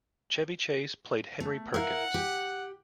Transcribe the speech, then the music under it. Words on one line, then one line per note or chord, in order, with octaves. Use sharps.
Chevy Chase played Henry Perkins.
A3
E4 A#4 F5 F#5
G4